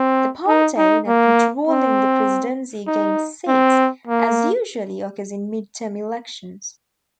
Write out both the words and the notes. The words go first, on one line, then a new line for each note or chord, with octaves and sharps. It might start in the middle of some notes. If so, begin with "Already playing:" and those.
The party not controlling the presidency gained seats, as usually occurs in mid-term elections.
Already playing: C4
D#4
D#4
A#3
C4
D#4
C4
A#3